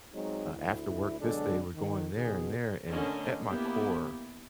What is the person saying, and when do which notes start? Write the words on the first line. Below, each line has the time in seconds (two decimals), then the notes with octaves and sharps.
uh, after work this day, we're going there and there," and at my core,
0.13 F#3 G#3 C4 D#4
0.54 D2 E4
1.20 B2 D3 F#3 G#3 D4 A4
1.75 D#3
2.15 B2 D#3 G#4
2.90 D3 A3 C#4 A#4 D#5
3.46 A#3 B3 E4 G4